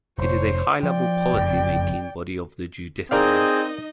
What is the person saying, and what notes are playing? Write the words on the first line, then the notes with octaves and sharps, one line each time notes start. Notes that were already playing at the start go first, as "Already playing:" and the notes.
It is a high level policy making body of the judiciary.
F1 C5 C#5
F3 D5 G5
F#1 F2
C4 D#4 G#4 A#4 D5 D#5 F5